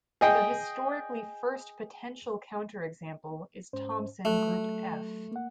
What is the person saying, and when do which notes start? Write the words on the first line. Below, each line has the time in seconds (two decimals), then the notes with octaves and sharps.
The historically first potential counterexample is Thompson group "F".
0.21 G#4 D#5 G5
3.73 G#2 C#4 C5
4.25 F#3 A3 E5 F#6
5.32 A#3 F#5